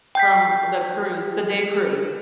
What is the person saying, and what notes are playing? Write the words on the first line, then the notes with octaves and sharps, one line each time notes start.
from the cruise the day cruise.
G5 G6 B6